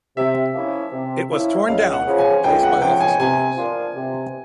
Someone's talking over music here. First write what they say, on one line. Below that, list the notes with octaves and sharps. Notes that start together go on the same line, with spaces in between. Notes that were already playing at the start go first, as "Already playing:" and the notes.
It was torn down and replaced by office buildings.
C3 E5
F3 A#3 C#4 E4
C3
F3 A#3 C#4 E4
C#2 F5
F#5
C#3 F3
G#5
C#2 G5
F#5
C#3 F3 G5
G#5
C3 G#5
F3 A#3 D4 F4
C3